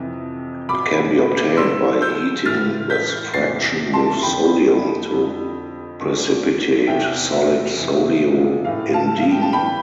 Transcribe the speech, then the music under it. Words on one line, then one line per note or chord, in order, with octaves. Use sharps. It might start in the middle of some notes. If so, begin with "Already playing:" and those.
It can be obtained by heating this fraction with sodium to precipitate solid sodio-indene.
Already playing: F2 C3 E3
E2 B2 B5 D6
G2 D3 C6 E6
E6 G6
A2 E3 F6 A6
G6 B6
E2 C3 E3 A6 C7
A5 C6
F2 D3 G5 B5
F2 D3
E2 D3
E2 C3 E3 E5 G5
E5
F2 C3 E3
A2 E3 F5
F5 A5
F5
G5
A5
G2 E3 G5 B5